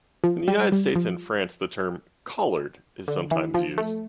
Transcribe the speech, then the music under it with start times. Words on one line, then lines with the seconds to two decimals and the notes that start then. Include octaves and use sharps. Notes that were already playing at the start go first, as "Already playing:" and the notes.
In the United States and France the term "collared" is sometimes used.
0.24 F3
0.48 G3
0.72 G3
0.96 F3
3.08 D3
3.31 E3
3.54 F3
3.78 A3